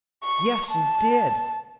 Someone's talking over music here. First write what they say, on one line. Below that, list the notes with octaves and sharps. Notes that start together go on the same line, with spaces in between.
"Yes, you did."
C#6
A5